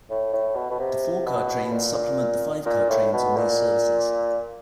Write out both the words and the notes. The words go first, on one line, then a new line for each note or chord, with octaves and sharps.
The four-car trains supplement the five-car trains on these services.
A2
A2
B2
B2
C3
B2
B2
A#2
A#2
A2
B2
A#2